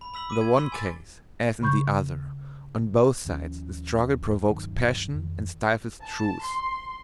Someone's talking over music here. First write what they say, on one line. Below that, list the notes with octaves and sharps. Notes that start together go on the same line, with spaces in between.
In the one case as in the other, on both sides the struggle provokes passion and stifles truth.
B5
B5 E6 B6 F#7
D6 D#7
G#6
C6 E6 B6 G7
G#5 D6 A6
C#3 B5 C#6 G6
D#2 F3 C#4
D1 G1 D#3 F#3
F2 D#3
A5
C6